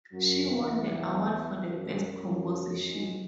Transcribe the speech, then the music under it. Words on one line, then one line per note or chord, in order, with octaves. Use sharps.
She won the award for the best composition.
F#2 F#3
E2 E3
F#2 F#3
G#2 G#3